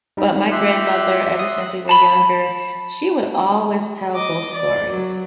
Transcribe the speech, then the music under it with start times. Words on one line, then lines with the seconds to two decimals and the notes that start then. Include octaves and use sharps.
But my grandmother, ever since we were younger, she would always tell ghost stories,
0.17 G3 D#4
0.52 F4 G4 E5 C6 F#6
1.39 D#6
1.89 A5 B5
4.16 D#5 D6
4.54 D5
4.93 F#3